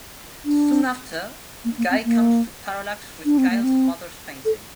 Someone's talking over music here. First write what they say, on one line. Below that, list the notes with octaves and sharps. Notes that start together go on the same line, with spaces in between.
Soon after, Guy comes to Parallax with Kyle's mother's painting.
D4
A#3
A#3
C4
A#3
D4
C4
A#3
C4
A4